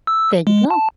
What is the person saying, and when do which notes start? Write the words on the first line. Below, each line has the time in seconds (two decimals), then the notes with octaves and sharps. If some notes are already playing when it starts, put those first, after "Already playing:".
There you go.
0.07 E6
0.47 G#3
0.70 A5